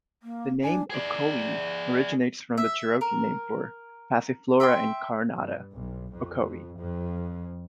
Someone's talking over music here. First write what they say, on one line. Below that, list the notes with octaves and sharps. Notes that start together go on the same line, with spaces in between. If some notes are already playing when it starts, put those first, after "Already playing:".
The name Ocoee originates from the Cherokee name for Passiflora incarnata, ocoee.
A#3
D4 G#5
G#4 D5
E5
A#4
E5 G5 G#5 C6
G2
B1
F2
F2